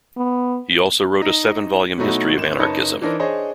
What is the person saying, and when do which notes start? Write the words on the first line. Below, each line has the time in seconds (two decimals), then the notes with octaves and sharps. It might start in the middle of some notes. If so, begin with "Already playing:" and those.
He also wrote a seven volume history of anarchism.
0.17 B3
1.22 D#4
1.98 B2 F#3 A3 D#4 E4 F#4
2.37 G#1 E7
2.59 F#1 D#4 B4 C#5 A5 C#7
3.02 E3 D4 D#4 A#4 C5
3.19 D4 G#4 C5 C#5 D#5